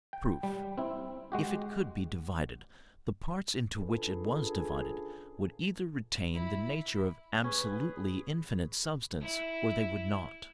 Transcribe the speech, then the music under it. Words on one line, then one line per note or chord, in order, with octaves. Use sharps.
Proof.--If it could be divided, the parts into which it was divided would either retain the nature of absolutely infinite substance, or they would not.
G5
G3
C4 E4
G#3 F#4 G4
C#3 D4 F4 G#4 A4 B4
E4
C#4 G#4 B4
E4